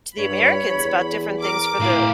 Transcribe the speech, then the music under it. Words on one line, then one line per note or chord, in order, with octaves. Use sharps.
to the Americans about different things for the
G2 C#5 B5
E2
A#4 D6
A2 E4 F5